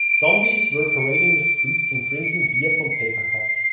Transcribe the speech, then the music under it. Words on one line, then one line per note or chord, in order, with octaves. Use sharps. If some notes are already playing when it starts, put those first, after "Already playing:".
Zombies were parading in the streets and drinking beer from paper cups.
Already playing: D7
D7
C#7
D7
C#7
C7